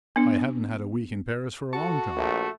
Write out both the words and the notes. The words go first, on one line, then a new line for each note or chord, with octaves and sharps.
"I haven't had a week in Paris for a long time."
B3 D4
F#4 A4 A5 C#6
A#1 A3